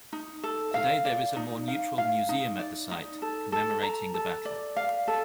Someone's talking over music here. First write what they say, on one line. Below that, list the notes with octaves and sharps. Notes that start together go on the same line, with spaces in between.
Today there is a more neutral museum at the site commemorating the battle.
D#4
A4
F5
D5
D#4
F5
F5
D#4
D5
D#4
A4
A4
A#5
A4
D5
F5
A4